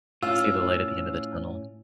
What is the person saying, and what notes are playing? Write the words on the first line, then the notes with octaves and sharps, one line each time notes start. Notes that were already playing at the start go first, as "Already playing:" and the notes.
See the light at the end of the tunnel.
A2 C#4 F4 E6 F6